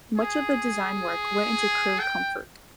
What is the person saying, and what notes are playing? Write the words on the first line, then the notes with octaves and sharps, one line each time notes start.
Much of the design work went into crew comfort.
G#4
G5